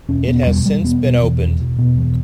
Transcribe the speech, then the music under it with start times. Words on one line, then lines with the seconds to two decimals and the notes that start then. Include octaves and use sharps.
It has since been opened.
0.09 E1 C#4
0.28 B2 B3
0.46 E2 G3
0.65 E1 G3
0.84 E1 B3
1.03 B2
1.23 E2
1.41 E1
1.60 E1
1.79 B2
1.98 E2